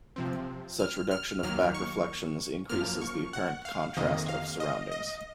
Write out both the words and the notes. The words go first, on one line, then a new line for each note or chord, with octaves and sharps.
Such reduction of back reflections increases the apparent contrast of surroundings.
C3 F3 C4
F6
F6
D#2 D#3 F#3 A#3 F6
C#6
F#2 F3 A#3 F6
C#6
F#5
F5
F2 C3 D#3 A#3 D#5
F5
D#5
D#5